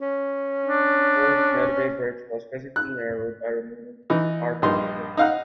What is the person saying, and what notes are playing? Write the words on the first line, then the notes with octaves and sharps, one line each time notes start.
The old Medway Bridge was physically narrowed by removing part of the footpath.
C#4
D4
F#6
E3 D#4
A#1 G2 D#4 C6
D#4 F5 F#5